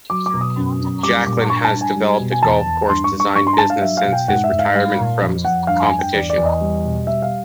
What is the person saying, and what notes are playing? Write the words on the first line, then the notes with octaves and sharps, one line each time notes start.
Jacklin has developed a golf course design business since his retirement from competition.
F#3 D6
D6
B2
D#6
F#2
F#2
G3 D6
A#2 D6
G2 C#6
A5
G2
G#5
G3
B2
G#5
E2 A5
E2
G2 C6
C#6
G2
C#6
G2 C#6
C6
A#5
G2 A5
F5
F#3 E5
F5
B2
G5
G#2 F#5
E5
G#2
F5
G3 F5
A#2
F2
F2 F#5
G2 F5
G#5
G2
G5
E2 D5
D5
E2
D#5
G3
B2
G3 E5
F5